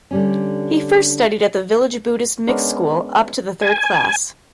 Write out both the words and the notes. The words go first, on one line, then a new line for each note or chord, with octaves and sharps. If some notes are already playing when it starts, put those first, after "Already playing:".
He first studied at the village Buddhist mixed school up to the third class.
D3 G3 C#4
G#3 B3 C#4 D4 A#4
G#5